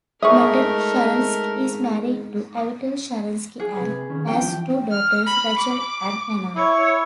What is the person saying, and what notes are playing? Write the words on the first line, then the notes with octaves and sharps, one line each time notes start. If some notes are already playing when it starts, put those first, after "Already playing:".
Natan Sharansky is married to Avital Sharansky and has two daughters, Rachel and Hannah.
G#3 A3 D#4 G#4 A#4 E5 C#6 D#6
G#4
C3 B4
D#3 C#4
E3 F3 G3 G5
F6
B5
D6
E4 C#5